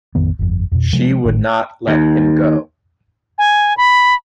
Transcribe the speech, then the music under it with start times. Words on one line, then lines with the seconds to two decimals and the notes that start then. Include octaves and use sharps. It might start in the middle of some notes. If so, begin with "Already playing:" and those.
She would not let him go.
0.15 A1 F2 D#3 B3
0.39 G1 F2
0.72 F2 B2
0.93 C3 F3 F#3 G#3
1.25 G#1 A2 D#3
1.88 D#2
3.38 G#5
3.77 B5